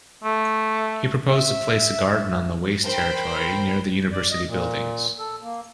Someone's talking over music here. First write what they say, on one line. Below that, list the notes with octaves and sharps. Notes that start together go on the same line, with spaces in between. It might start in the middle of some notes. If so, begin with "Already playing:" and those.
He proposed to place the garden on the waste territory near the university buildings.
A3
E5
A#4 C5 G5 B5
D5
D#5
A#2
A4
A#3